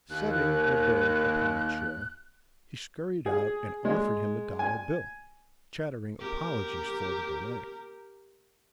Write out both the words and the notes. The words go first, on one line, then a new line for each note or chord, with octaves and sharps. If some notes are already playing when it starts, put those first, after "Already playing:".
Setting the berg upon a chair, he scurried out, and offered him a dollar bill, chattering apologies for the delay.
D#2 F#6
G#4
G#3
G#5
G4 A#4